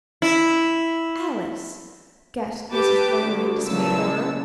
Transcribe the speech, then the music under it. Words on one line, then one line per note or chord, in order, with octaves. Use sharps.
"Alice!" gasped Mrs. Greggory in dismayed horror.
E4
G4 B4 A5 D6
D2 A3
A#2 C#3 E3 F#3 A5 E6